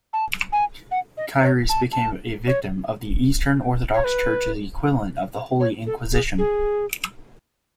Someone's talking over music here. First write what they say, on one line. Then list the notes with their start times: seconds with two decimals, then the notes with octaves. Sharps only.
Kairis became a victim of the Eastern Orthodox Church's equivalent of the Holy Inquisition.
0.13 A5
0.52 G#5
0.91 F#5
1.17 D#5
1.43 C#5
1.69 A5
1.93 A5
2.47 C#5
3.94 C#5
4.04 B4
5.60 C#5
5.87 A4
6.12 G#4
6.38 G#4